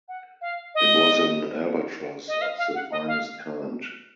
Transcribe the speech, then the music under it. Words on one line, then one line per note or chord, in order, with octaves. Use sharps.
It was an albatross of the finest kind.
F#5
F5
D#5
D#5
F5
F5
F#5
D#5
F5